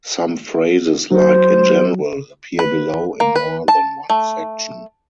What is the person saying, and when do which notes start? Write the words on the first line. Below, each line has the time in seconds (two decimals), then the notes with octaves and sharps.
Some phrases, like "in general", appear below in more than one section.
1.11 F#3 F#4 C5
2.59 B4
3.20 A#3
3.36 B4
3.68 A5
4.10 A3